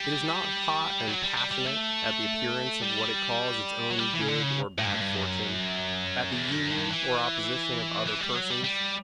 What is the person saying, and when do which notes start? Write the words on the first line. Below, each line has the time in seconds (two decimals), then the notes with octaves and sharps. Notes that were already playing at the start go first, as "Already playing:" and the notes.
It is not hot and passionate at the appearance of what it calls its own good or bad fortune, at the union or opposition of other persons.
Already playing: G3
1.07 F#3
1.22 G3
1.37 G3
1.51 G3
1.66 A3
2.82 G3
3.90 F#3
3.99 G3
4.14 E3
4.21 C#3
4.28 D3
4.42 C#3
4.78 A2
4.86 G2
4.94 A2
5.01 G2
5.16 F#2
6.32 E2
6.51 F#2
6.71 G2
6.90 E3
8.07 E3
8.21 G3
8.36 F#3
8.50 G3
8.64 G3